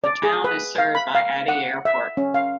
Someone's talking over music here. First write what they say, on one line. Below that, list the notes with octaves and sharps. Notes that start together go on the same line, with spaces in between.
The town is served by Ati Airport.
D5
G#4
B4
F5
B5
F5
F#5
E5
C#4
F5